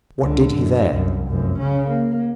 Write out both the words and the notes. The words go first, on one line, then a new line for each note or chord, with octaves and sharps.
What did he there?
C#2 D3
F#2
C2 F#2
F1 F#2
C#3 C#4
A#3